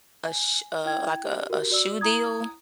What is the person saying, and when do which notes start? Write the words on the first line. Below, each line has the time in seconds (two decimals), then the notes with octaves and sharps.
a sh uh, like, a a shoe deal,
0.25 G#5
0.85 E4 G5 G#6
1.24 G4
1.50 F#4 G4 A#4
1.70 F#4 D5 E6
2.01 E4 A#5 D#6 G#6